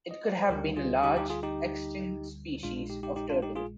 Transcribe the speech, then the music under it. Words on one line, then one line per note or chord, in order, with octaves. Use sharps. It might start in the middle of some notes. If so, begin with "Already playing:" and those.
It could have been a large, extinct species of turtle.
D#5
D5
C5
D2 D3 G3 G4 A#4
F4 G#4
D#4 G4
D#4 G4
F4 G#4
D#4 G4
A#1 A#2 G#3 D4 F4
D4 F4
D#4 G4
D#4 G4
D#4 G4
D4 F4
D#4 G4
F4 G#4